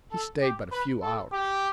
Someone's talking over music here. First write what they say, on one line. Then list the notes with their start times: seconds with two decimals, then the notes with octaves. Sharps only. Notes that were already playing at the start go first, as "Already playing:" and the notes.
He stayed but a few hours.
0.12 A4
0.42 G4
0.72 B4
1.02 A4
1.33 G4